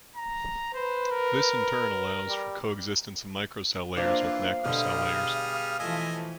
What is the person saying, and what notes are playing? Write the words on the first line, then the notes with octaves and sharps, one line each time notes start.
This in turn allows for co-existence of microcell layers with macrocell layers.
A#5
B4 C5
A#4
G3
E3 A#3 D4 F4 C5 D5 F5
B2 D3 G3 A3 D#6 F6
G#4
E3 F3 A3 D#5 E5 G#5